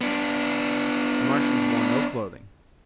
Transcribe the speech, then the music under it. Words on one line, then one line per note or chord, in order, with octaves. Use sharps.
The Martians wore no clothing.
B3 D4